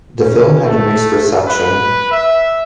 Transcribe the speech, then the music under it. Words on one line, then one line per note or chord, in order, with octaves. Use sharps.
The film had a mixed reception.
C#4
A3
B4
E5